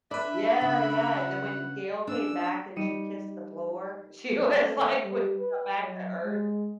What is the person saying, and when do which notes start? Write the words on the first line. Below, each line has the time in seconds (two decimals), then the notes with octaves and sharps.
Yeah, yeah, and then when Gayle came back and she kissed the floor, she was like w when got back to earth,
0.11 D4 A4 B4 D5 E5 B5
0.61 C#3 F#5
2.07 C#4 D4 E6
2.76 G3 D#4 C#7 D#7 E7
4.53 A3
5.03 G3
5.37 B4
5.78 F#3
6.22 G#3